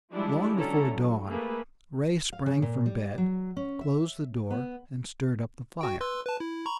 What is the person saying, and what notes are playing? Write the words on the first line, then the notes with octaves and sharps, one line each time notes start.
Long before dawn Ray sprang from bed, closed the door and stirred up the fire.
F3 G3 G#3 D4 E4
D3 F#3 C#4 E4 A4 A#5
F#3
A3 A#3 G#4 B4
F5
C#3
A#2
G3
F#3
C#4
E5
B3
F#4 G5
B4 C6 E6
B4 A5
E4
A#5 B5 C#6